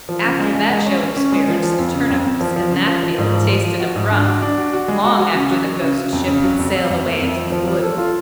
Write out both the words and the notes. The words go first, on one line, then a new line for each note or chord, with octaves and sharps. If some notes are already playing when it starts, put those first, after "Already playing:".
After that show of spirits, the turnips in that field tasted of rum, long after the ghost ship had sailed away into the blue.
F3
C#3
G#3
G#3
G#3
C#4
C#4
C#4
G#3
F3
F3
F2
C#3
F2
F2
F3
F3
C#3
F3
F3
G#2
F3
F3
F3
F#4
G#2
D4
F#4
D4
F#4
F#4
G#3
F#4
F#4
C#3
F#3
F#3
C#3
C#3
F2
C#3
F#3
F2
F2
F2
A3
F2
F3
F3
F3
A4
F4